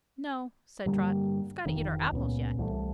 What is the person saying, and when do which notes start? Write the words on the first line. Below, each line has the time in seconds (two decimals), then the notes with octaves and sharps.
"No," said Trot; "we've got to eat our apples yet."
0.86 G2 D3 G3 A#3
1.65 F1 D#3 E3
2.12 C#2 A#2 B3 C#4
2.58 C2 E3 G#3 A3